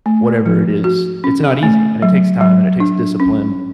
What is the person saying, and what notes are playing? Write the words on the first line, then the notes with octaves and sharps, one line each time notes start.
whatever it is. It's not easy, and it takes time, and it takes discipline,
A3
F3
F#4
C#4
A3
F#3
F#3
D4
C#4